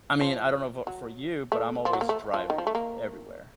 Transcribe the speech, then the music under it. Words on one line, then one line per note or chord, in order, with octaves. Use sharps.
I mean, I don't know v for you, but I'm always driving everywhere.
F3
F#3
A3
F3
F#3
A#3
A3
F3
D#3
F3
A3
A#3